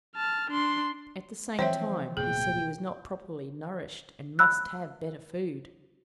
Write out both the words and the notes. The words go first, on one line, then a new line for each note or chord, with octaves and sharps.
At the same time, he said he was not properly nourished, and must have better food.
A5 F6
D4 C6
E3 F3 C4 C5 C#5 E5
D1 B2 A#3 G#4 G5
B5 E6 F#6